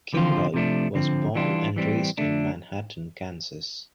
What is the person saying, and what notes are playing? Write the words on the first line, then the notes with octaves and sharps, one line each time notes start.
Kimball was born and raised in Manhattan, Kansas.
D3 F3 C4 F4
C3 F3 A3 D4
D3 F3 C4
E3 G3 D4 F4
E3 G3 C4
D3 A3 D4